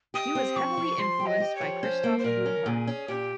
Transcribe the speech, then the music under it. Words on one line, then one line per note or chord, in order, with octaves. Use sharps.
He was heavily influenced by Christoph Blumhardt.
G4 D#6
C4
F3 C#6
F3
F3 C6
G4
D#5
G4
C#5
F3
C#4 C5
A#3
C5
A#2 A#4
C#4
A#2 G#4
C#4
A#2 G4